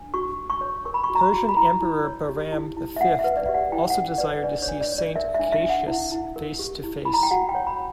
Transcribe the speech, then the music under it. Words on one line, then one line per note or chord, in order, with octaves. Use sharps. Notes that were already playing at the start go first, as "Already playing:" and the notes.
Persian Emperor Bahram the Fifth also desired to see Saint Acacius face-to-face.
Already playing: D4
F#4 C#6
F#4
C#6
C#5
A#4 C#6
B5
C#6
F#4
A#5
B5
F#4
B5
E4 A#5
E4
C#5
G4
E4
E4
E5
C#4 F#5
E5
B4
D5
G4 E5
F#5
E4 G5
F#5
C#4
B4 D5
C#5
D4 D5
C#5
D4
D5
C#5
D5
A#4 E5
E5
D4
E5
D4
F#5
E4
E4
A#4
G4
E4
E4 B5
A#5
G5
F#4 F#5
G5
C#5
B5